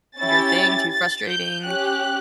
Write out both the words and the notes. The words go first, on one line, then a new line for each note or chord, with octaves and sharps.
your thing, too frustrating?
C#4 E4 G4 A6
A6
G6
C#4 G4 F#6